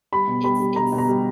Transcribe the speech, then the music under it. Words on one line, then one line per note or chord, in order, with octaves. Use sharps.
it's it's
G3 B5
B2
G3 B5
G3
B2 A#5
B2
A#5
G3